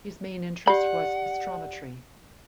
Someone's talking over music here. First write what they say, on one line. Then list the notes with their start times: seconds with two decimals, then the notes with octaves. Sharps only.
His main interest was astrometry.
0.67 G4 D5 F#5 B5